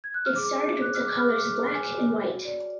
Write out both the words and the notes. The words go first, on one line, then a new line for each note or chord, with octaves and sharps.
It started with the colors black and white.
G#6
F#6
F6
G#4 D6
G#4
C#5 F#6
F6
C#5 D6
F6
G#4 D6
G#4
C#5 G#5
C#5
F#4
D5